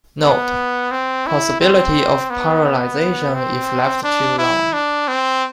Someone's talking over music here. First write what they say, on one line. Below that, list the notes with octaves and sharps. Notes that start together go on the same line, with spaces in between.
Note: Possibility of paralyzation if left too long.
B3
C4
E4
C4
B3
C4
D4
E4
D4
C4